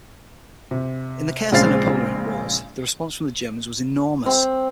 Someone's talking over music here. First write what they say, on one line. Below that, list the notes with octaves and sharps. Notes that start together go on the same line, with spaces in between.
In the chaos of the Napoleonic wars, the response from Germans was enormous.
C3
A#1 C#3 G#3 C4 F5 A6
C4